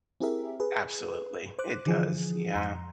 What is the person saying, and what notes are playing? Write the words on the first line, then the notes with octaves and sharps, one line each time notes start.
Absolutely, it does, yeah.
C4 E4 G4 G#4 A#4 E5
G#4 B4
C5 D6 F#6
D3 E3 F3 G#4
F2 A#5 C6